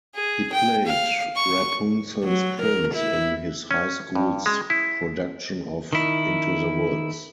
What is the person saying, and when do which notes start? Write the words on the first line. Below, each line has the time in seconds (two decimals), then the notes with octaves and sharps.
He played Rapunzel's prince in his high school's production of "Into the Woods".
0.15 G#4
0.52 G5
0.86 F5
1.36 C#6
2.24 F#3
2.62 A#4
2.95 E4
3.71 C#4
4.15 G2
4.46 G#3
4.70 E4
5.93 D#3 E4